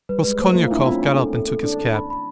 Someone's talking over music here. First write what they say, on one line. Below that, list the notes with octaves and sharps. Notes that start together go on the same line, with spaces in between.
Raskolnikov got up and took his cap.
G3 B4
G#3 B4
A3 C5
A#3 F4
D4 E4
C4 F4
C#4
D4
A4
A4
A4
D4 A4
A4
B5
B5